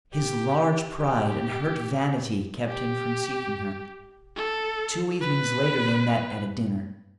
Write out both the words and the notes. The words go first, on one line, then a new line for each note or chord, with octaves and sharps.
His large pride and hurt vanity kept him from seeking her. Two evenings later they met at a dinner.
G4
G4
G4
A4
B4